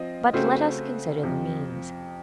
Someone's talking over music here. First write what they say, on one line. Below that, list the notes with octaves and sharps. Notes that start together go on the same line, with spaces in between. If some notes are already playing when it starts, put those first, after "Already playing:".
But let us consider the means.
Already playing: F3 C4 D#5
C#3 A3 C4 F#4 C5
F2 C3 F3